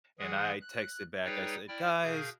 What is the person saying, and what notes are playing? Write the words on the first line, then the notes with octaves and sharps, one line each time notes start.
And I texted back, I said, “Guys"
E3 G#3 G#4 F#5
F#6
G3 D#4 G#4 B4 C#5 G5
E4 D5 G5 F6
B2 G#4 A#4 F5 G6